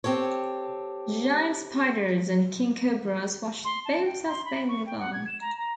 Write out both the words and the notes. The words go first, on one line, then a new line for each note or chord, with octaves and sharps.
Giant spiders and king cobras watch the boats as they move on.
C4 G4 A4 C#5
C6
A5
G5
C6
B5
C#6
G5
F#5
G#6
E7
A#5
A#5